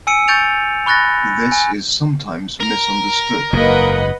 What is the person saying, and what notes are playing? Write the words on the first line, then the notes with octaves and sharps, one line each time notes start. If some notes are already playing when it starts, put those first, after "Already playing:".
This is sometimes misunderstood...
G#5 E6 C#7 D#7
C#6 G6 A6 D7 F7
B5 C#6 F#6 A6 A#6
G#5
A#4 A#5
F#1 G#2 A#3 B4 D#5 F#5